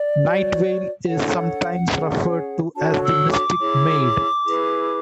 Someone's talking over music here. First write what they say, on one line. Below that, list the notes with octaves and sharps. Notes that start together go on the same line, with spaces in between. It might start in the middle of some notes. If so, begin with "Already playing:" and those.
Nightveil is sometimes referred to as the Mystic Maid.
Already playing: D5
F#4 C#5
D4 A4 C#5 F#5
C#4 G#4 C#5
D4 F#4 A4 C#5 A5
E6
D6
E4 G#4 C#5
E4 G#4 B4